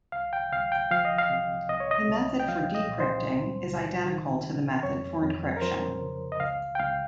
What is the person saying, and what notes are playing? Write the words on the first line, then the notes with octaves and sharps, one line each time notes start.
The method for decrypting is identical to the method for encryption.
C2 F5
G5
C2 F5
G5
F3 F5
D#5
F5
C3
C2 D#5
C#5
D#5
C2
G5
F3 F5
D#5
A#2
C5
C#2
C#2
D#3
C3
F2 C#5
F2
A#4
F3 C5
C#3
D#5
C#2 F5
G5
C#2 F5